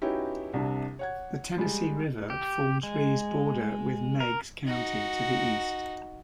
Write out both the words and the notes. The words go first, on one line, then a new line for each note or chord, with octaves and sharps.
The Tennessee River forms Rhea's border with Meigs County to the east.
B3 C#4 D#4 E4 F#4 G4
C2 C3 D4
C#5 F#5 G#6
G3 G#3
G4
G#3
A#4
D#4 F#4